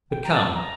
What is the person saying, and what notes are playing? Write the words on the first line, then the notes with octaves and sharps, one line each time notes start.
But come!
G5
A#5
A5
A#5